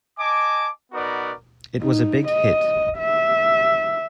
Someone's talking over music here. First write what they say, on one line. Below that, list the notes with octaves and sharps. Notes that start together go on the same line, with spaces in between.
It was a big hit.
D#5 G#5 A5 D6
B3 D#4 F#4 A#4 B4 D5
D#4
D#5
E5